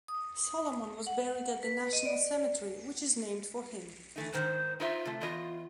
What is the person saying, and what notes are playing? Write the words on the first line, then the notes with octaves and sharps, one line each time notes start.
Solomon was buried at the national cemetery which is named for him.
D#6
F#5
B4
D#5
D5
E3 A3 D#4
G#2 D#3 C5
D#4 F4 C5 E5
C3 A3
E2 F4 D#5